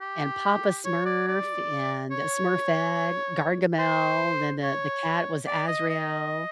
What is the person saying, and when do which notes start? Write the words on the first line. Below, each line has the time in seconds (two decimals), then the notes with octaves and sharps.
And Papa Smurf, and Smurfette, Gargamel, then the the cat was Azrael.
0.01 G4
0.85 C#5
1.06 D5
1.27 D5
2.11 C#5
3.79 C5
4.63 C#5
5.47 D5
5.68 D#5
5.89 D#5